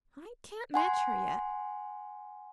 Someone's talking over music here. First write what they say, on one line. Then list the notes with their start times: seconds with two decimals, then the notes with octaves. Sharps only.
I can't match her yet.
0.74 F#5 G#5 C6